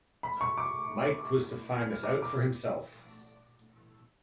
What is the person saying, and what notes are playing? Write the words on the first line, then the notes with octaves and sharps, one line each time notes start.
Mike was to find this out for himself.
B5
C#6
D6
F6
D6
D6